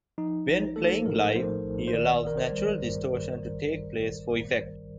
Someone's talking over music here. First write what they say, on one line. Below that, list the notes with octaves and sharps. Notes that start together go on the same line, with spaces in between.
When playing live he allows natural distortion to take place for effect.
F3 D#4
A#1
A3 A4
A2 A#4
F3 C5
A#1
C5
D#3 D5
G1 A#4
C5
G3
G2
D#3
G1